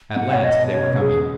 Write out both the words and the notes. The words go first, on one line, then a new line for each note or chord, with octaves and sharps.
At last, they were coming.
G#2 F#5
B2 C#5
D#5
B2
C#5
C#3
B2
C#3
G#4